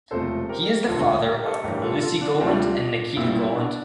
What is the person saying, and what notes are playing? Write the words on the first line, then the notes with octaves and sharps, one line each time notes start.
He is the father of Elisey Goland and Nikita Goland.
E1 E2 C3 F3 A3 A4 C5
G4 A#4
E1 D2 D3 F4 A4
G4 A#4
A4 C5
A1 G2 E3 G3 G4 A#4
F4 A4
F4 A4
D4 F4
D2 C3 G3 D4 F4
A#1 A#2 G3 E4
E4
D4